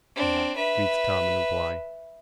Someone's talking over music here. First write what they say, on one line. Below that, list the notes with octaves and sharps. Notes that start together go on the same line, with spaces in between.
"Yeah," breathed Tom in reply.
C4 D4
B4 E5